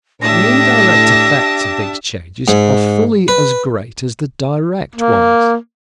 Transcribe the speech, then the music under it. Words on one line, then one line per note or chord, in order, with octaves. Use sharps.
The indirect effects of these changes are fully as great as the direct ones.
A2 D4 G4 E5 A5 D#6 A#6
G#2
B4
A#3